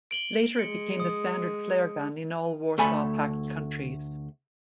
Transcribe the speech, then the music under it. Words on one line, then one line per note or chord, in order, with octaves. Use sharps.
Later it became the standard flare gun in all Warsaw Pact countries.
D7 F#7 G7
G#3 C#7
D#6
D2 A3 A4 G#5 B5